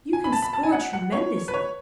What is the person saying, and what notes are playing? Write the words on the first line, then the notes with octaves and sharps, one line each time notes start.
You can score tremendously.
G#5
B5
A5
B5
A5
G#5
F#5
F#5
C#5
B4
C#5